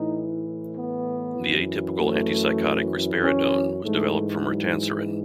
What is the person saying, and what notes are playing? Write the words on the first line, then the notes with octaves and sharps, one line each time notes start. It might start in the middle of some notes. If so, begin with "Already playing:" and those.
The atypical antipsychotic risperidone was developed from ritanserin.
Already playing: A2 E3 D#4
B3
F#2 E3
A3
C#4
G#2 E3 A3
F#3